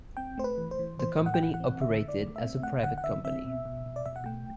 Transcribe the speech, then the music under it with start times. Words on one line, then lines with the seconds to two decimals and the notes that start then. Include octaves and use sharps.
The company operated as a private company.
0.17 C4 G5
0.38 A3 C5
0.44 B4
0.58 E3
0.71 C5
0.79 E3
0.99 E3 C5
1.19 A2
1.26 F#5
1.34 G5
1.40 E3 F#5
1.54 F#5
1.60 C4
1.81 D3 E5
2.01 D3
2.08 D5
2.21 A3
2.36 E5
2.43 C4
2.62 A3 F#5
2.83 D3 F#5
2.98 F#5
3.04 D3 E5
3.24 C4 E5
3.45 B2
3.65 B2
3.86 B2
3.96 D5
4.06 B2 E5
4.16 F#5
4.26 A3 G5